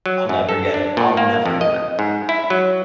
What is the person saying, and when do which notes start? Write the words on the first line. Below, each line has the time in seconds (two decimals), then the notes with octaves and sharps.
I'll never get it. I'll never get it.
0.06 F#3
0.29 F#2
0.49 A4
0.74 D4
0.97 A#2
1.17 A#3
1.46 F2
1.61 D#5
1.99 G#2
2.29 E4
2.50 F#3